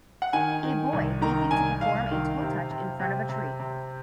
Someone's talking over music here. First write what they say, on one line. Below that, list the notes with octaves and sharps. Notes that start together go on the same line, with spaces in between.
A boy leaping to perform a toetouch in front of a tree.
F#5
D#3 G#5
D#3
C2
D#3 A#5
C2 G#5
C2 F5
D#3
C3
C3
C3
C3
C3